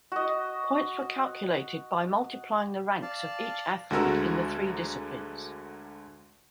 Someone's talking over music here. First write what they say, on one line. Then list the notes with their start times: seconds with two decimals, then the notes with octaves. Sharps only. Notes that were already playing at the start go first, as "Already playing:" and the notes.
Points were calculated by multiplying the ranks of each athlete in the three disciplines.
0.12 F#4 D#5
3.02 D5 F5 A5
3.91 D2 D3 G#3 F#4 A#4 E6